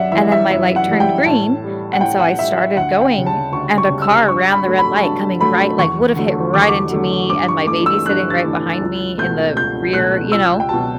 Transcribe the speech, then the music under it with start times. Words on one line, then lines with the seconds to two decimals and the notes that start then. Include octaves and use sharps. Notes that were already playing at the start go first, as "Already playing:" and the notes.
and then my light turned green, and so I started going, and a car ran the red light coming right like, would have hit right into me and my baby sitting right behind me in the rear. You know?
Already playing: F#2 D5 E5 F#5
0.12 E3 G3 E5
0.32 E5
0.51 F#2 E5
0.76 F#5
0.88 E3 G3
1.00 G5
1.26 A2 A5
1.64 G3
1.93 F#5
2.01 A2 G5
2.19 F#5
2.39 G3 E5
2.58 E5
2.76 D2 F#5
3.01 G5
3.15 C#3 G3
3.26 A5
3.52 D2 C#6
3.78 C#6
3.90 C#3 G3
4.02 E6
4.28 G2 C#6
4.52 B5
4.65 F#3 A3
4.78 B5
5.03 G2 A5
5.40 F#3 A3 B5
5.79 E2 C#6
6.16 D3 F#3 A3
6.54 E2 D6
6.62 C#6
6.68 D6
6.91 D3 F#3 A3
7.29 G2 D6
7.48 C#6
7.67 E3 A3 D6
7.86 E6
8.06 G2 F#6
8.30 A6
8.43 E3 A3
8.81 C#2
9.18 B2 A3 G6
9.57 C#2 G6
9.93 B2 A3 F#6
10.32 C#2 E6
10.60 G5
10.69 B2 F#3 A5